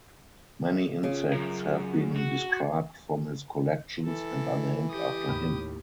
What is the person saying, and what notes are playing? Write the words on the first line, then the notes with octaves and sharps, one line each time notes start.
Many insects have been described from his collections and are named after him.
C#3 F4
F#2
F#4
E3 A4
G4 D#6
D#2 A2 B5